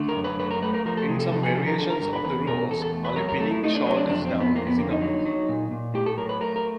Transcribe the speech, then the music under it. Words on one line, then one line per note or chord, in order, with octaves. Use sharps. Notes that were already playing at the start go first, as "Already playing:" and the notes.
In some variations of the rules, only pinning the shoulders down is enough.
Already playing: D3 A3
A#4
F#2
B4
A3 B4
A#4
A3 B4
A#4
F3 A#4
A4
C3 G#4
A4
F3 A4
G#4
D3 A4
A#4
D3 A4
A#4
G2 A#4
B4
E2 B4
B2 A#4
E2 A4
A4
A3
B4
F#3 A#4
A#4
A3 A4
E4
A3 D#4
D4
F#3 C#4
D4
F2 D4
C4
F2
B3
F2 A#3
B3
D3 A#3
D#4
F#3
F#3
A#2
A#2
A2 G4
A4
F#3 A#4
B4
A3 A#4
A#4